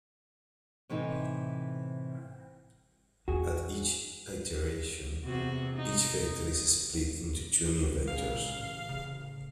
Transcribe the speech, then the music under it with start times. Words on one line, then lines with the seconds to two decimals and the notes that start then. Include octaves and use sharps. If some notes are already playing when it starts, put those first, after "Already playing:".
At each iteration, each vector is split into two new vectors.
0.89 A2 C3 E3 D#4
3.28 E2 F#4 G#4
5.24 E2 C3 F#4
5.76 D#4
8.08 C#2 A#2 C#3 F5
8.49 A1
8.89 C#3